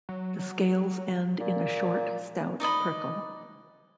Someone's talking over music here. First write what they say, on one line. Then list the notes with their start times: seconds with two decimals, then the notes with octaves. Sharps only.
The scales end in a short stout prickle.
0.09 F#3
1.40 A#2
2.60 D#4 D5 D#5 B5